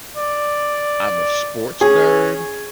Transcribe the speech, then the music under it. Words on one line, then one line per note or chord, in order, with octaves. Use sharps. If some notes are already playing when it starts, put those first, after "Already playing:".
I'm a sports nerd
D5
C#4 G#4